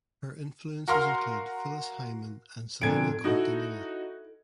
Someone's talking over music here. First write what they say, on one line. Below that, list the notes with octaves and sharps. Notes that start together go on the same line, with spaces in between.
Her influences include Phyllis Hyman and Selena Quintanilla.
F#4 A#4 F5 C6 F6
F2 A#2 D3 G#6 D7
D#4 E4 F#4 A4